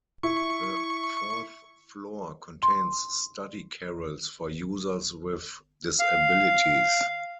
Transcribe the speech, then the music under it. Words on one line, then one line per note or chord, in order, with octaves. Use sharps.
The fourth floor contains study carrels for users with disabilities.
E4 C#6
C6
F5